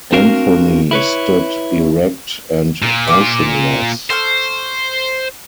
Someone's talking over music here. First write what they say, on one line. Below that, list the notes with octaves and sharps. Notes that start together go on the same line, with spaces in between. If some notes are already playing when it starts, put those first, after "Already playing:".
Anthony stood erect and motionless.
C4 D4 F#4 A#4 F5
E4 B4 C#5
A#2
D6
A4 C5 C#6 F6